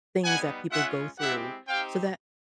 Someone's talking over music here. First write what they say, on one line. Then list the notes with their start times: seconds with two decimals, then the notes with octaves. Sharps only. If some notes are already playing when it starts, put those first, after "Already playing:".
things that people go through so that
0.23 G3 B3 D#4 F#5 G#5
0.71 G#3 C#4 F4 E5 F#5
1.19 G#3 C4 E4 G4 E5 F#5
1.68 C4 D#4 G4 F5 G5